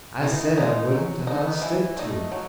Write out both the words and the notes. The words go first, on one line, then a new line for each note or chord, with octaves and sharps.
I said I wouldn't, and I'll stick to it.
E3 D#4
G#3 D#4
F#3
B3 D#4
E3 E4
A3 D#4
F#3